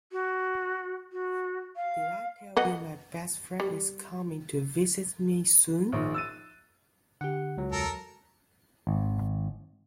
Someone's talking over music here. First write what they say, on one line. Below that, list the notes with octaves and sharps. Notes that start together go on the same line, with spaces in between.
Did I tell you my best friend is coming to visit me soon?
F#4
F#4
F5
B4 D#5 F#5
G3
A#1 D#3
E6 A6 D#7
D3 G4 F#5
C#2 F#3
E2 A4 A#4
G#1